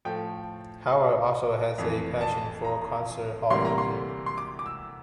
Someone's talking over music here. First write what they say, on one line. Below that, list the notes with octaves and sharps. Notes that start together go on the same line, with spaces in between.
Howard also has a passion for concert hall music.
A2 F3 A3 G5
F2 E3 A3
A5
A#5
D2 C3 E3 G3 A#3 C6
A#5
C6
C6
D6
D6
E6